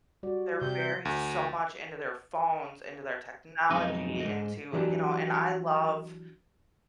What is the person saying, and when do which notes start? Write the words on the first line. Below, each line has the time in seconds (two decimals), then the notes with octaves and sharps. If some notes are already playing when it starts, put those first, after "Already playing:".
they're very so much into their phones, into their technology, into, you know, and I love
0.23 G3 F#4 D5
0.61 C3 G6
1.05 D2
3.70 B1 F2 G#3 D#4 D#5
4.20 G#2 D#3 D#5
4.73 E3 F#3 D4 G4